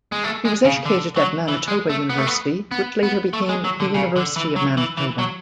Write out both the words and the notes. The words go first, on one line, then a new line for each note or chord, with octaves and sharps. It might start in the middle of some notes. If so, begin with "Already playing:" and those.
He was educated at Manitoba University, which later became the University of Manitoba.
G#3
A3
G#3
C#3
D3
F#3
E3
G#3
A3
B3
A3
B3
B3
B3
A3
G#3
F#3
D3
C#3
D3
E3
F#3
E3
E3
F#3